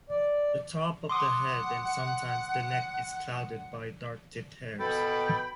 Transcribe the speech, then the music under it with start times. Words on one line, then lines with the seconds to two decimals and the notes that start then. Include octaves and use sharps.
The top of the head and sometimes the neck is clouded by dark-tipped hairs.
0.10 D5
1.09 F#5 C6 D6 D#6
4.80 B2 A4 G5 B5